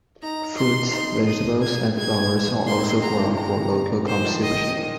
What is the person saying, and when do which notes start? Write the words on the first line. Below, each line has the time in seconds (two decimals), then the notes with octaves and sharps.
Fruits, vegetables, and flowers are also grown for local consumption.
0.22 D#4 A#5
0.57 C6
0.92 D#4 C6
1.27 D#6
1.62 G#6
1.97 G#3 G#6
2.67 A#3 C6
2.75 C4
2.85 D#4
2.93 C4
3.02 G#3 A#5
3.11 D#3
3.19 C3
3.28 A#2
3.37 C3 A#5
4.07 D#3 C5
4.25 F3
4.42 D#3 D#5
4.77 A#2